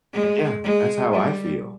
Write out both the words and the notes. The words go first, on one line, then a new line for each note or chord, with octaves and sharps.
Yeah. That's how I feel.
G#3
G#3
G3